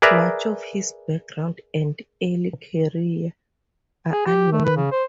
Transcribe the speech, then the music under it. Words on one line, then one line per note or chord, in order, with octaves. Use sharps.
Much of his background and early career are unknown.
G#4 A#4 B4 D5 E5 A#5
G#4
G4
A3
B4
C#3
C5